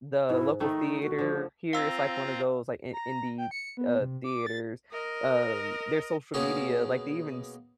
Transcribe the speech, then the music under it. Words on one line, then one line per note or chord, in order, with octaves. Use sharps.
the local theater here it's like one of those, like, i indie, uh, theaters. Um, their social media like, they even s m
G#2 E4
D#3 A3 D#4
F#4
D3 F3
C4 F4 F5 A#5 E6
A#5
G5
C#7
B3
C3
D6
A6
A#4 D#5
B2 A#3 C#4 G#4